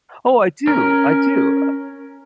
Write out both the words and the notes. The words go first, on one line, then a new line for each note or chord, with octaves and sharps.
Oh, I do, I do, uh
C#4 A#4